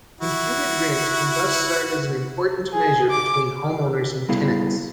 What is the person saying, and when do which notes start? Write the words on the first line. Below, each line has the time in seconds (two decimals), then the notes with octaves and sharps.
Imputed rent can thus serve as an important measure between home owners and tenants.
0.21 E4 F#4
2.73 G#4
3.10 D6
4.28 G3 B3 E4 G#4 A4 F5